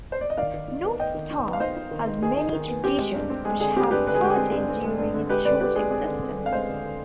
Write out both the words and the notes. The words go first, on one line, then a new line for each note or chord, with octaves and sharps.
North Star has many traditions which have started during its short existence.
C5
D5
D#5
D#3 D5 F5
D#3
D#4
B3
B3 D#5 G5
D#3
D#4
B3
F5
D#4 C5 D#5
D#4
D#3
D#3
D#3 G#4
D#4
D#3
B3
C4 G4
G#3
G2
C4
G#3 G#4
D3 G#4
C4 G4
G2 G4 B4
D3 B4
G#4
G#3 G4
G#4
C4
G2
C4
G#3
G2
D3
G#3 G4 B4
D3 B4 D5
D3 G4 B4
G#3 G#4
C4 G#4
D3
C4
D3
F5
G#3 C5 D#5
D3
D3